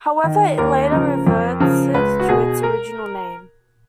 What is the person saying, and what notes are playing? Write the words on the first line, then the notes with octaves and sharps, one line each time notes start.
However, it later reverted to its original name.
D#3
D#2 A#4
C#3 F3
F2
C#3 F3
C#2 B4
F#4
B2 G#4
A#4